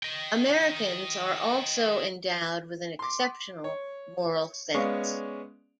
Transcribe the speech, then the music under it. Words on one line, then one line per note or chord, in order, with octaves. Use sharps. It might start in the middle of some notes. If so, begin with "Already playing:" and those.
Americans are also endowed with an exceptional moral sense.
D#5 G5
C6 D6
C#5
G#3 B3 C#4 D5 F5 C#6